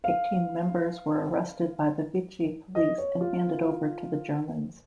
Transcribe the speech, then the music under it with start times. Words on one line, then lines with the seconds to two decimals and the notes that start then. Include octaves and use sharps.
Eighteen members were arrested by the Vichy police and handed over to the Germans.
0.04 F5
2.75 D#5
2.98 C#5
3.21 F4